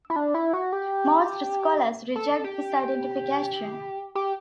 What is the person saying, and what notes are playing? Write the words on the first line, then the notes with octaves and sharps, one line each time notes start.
Most scholars reject this identification.
E4
D4
E4
F#4
G4
A4
G4
G4